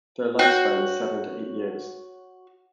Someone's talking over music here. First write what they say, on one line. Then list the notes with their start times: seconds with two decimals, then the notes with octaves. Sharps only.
Their lifespan is seven to eight years.
0.39 F#4 C#5 G5 F#6 G6